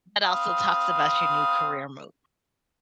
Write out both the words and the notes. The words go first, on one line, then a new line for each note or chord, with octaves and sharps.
but also talks about your new career move.
C4 F5 B5 D#6